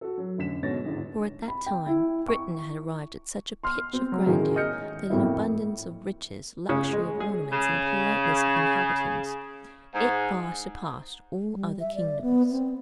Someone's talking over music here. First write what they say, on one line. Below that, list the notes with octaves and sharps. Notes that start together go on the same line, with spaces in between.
For at that time Britain had arrived at such a pitch of grandeur, that in abundance of riches, luxury of ornaments, and politeness of inhabitants, it far surpassed all other kingdoms.
F#4 A4
F#3
F1 D3 C#4 B6 E7
G#2 B2 D3 C#5 A6 A#6
G#1 E2 D3
B5
G5
E4
C#6
C6 F6
C4
F#3
A2 D#3 G#3 C#4
D#5 F6 G6 C#7
F2 A2 A#3 E4
C#3
G#3
G#4
C#3
G#2
G3
E5
D5
B3
C4